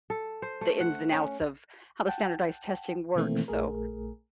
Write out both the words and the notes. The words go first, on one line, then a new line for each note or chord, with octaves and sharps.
the ins and outs of how the standardized testing works, so
A4
C5
A3
F#5
C#4
F#5 G5 A5
B2 D#3 E3 A3 A#3 C4
A#1 A3 G#4 A#4